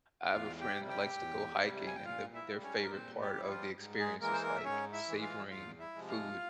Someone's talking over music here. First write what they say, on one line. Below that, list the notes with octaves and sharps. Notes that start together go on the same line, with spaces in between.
I have a friend that likes to go hiking and the their favorite part of the experience is, like, savoring food
G5
E2 F4 F5
G4 G5
C3 G3
G4 G5
E2
C3 G3
G#5
G5
A#2 F4 F5
E4 E5
G3
C#4 C#5
A#4
A#2 C4 C5
G3 G4
G3
E4
F3 F4
G#2
G#3 G#4
E3 G#3 A#3 A#4
C5
A#3 A#4
E5
G#2 C#4 C#5
E4 E5
E3 G#3
F4 F5
E2 F4 F5
E4 E5
C3 F3 G#3
F4 F5